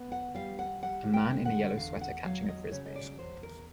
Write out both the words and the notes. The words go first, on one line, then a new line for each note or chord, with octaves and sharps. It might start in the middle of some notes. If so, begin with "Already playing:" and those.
A man in a yellow sweater catching a Frisbee.
Already playing: B3
F#5
G3 F5
F#5
G3 F#5
G5
D3
F#5
E2 F5
F#5
F#3 F5
D#5
C#3 C#5
D#5
D5
E2 C5
A#4